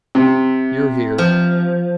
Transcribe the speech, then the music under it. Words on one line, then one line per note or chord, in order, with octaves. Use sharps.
You're here!
C3
F3